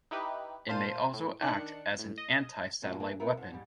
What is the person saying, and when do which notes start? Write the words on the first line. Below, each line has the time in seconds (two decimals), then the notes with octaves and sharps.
It may also act as an anti-satellite weapon.
0.11 D#4 E4 G4 B4
0.68 A#2 C5 F5 A5 D#7
1.13 A2
1.41 D#3 D4 F#6 C#7
1.99 A2
2.18 D#5
2.82 G2 A#2 F#3 A3 C#4
3.00 E3 A#3 D4 G#4
3.20 B3 C4 A#4 E5
3.37 G#2 D3
3.51 G#2 G3